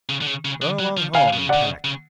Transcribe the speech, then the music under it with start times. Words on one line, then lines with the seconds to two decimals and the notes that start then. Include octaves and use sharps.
Run along home and pack.
0.09 C#3
0.22 D3
0.27 C#3
0.45 C#3
0.62 D3
0.80 F#3
0.97 F3
1.14 D3 F5 G#5
1.33 B2
1.38 C#3
1.49 D3 D5 F#5
1.61 C#3
1.84 C#3